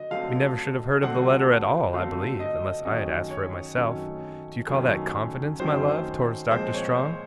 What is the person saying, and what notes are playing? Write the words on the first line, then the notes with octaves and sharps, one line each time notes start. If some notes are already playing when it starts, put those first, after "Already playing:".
We never should have heard of the letter at all, I believe, unless I had asked for it myself. Do you call that confidence, my love, towards Doctor Strong?
Already playing: D3 F#3 D#5
D3 F#3 A3 C4 F5
D3 F#3 A3 C4 F#5
D3 F#3 A3 C4 F5
D#5
F#2 D#3 F#3 A3 C#4 D#5
C#5
F#2 D#3 F#3 A3 C#4
F#2 D#3 F#3 A3 C#4
F#2 D#3 F#3 A3 C#4 C5
A#2 F3 G#3 C4 C5
C#5
C5